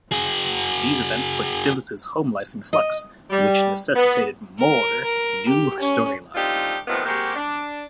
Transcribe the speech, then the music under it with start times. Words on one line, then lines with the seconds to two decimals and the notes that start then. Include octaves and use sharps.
These events put Phyllis' home life in flux, which necessitated more new story lines.
0.12 F#4 G#4
2.73 D#5
3.30 G3
3.96 B3
4.59 A#4
5.04 A#4
5.49 G4
5.80 C#4
6.35 A3 C4 D4 D#4 F4 G4
6.88 A2 C3 D#3 F3 B3 A4
7.06 G#3 A#3 C4 F#4 G4
7.35 D4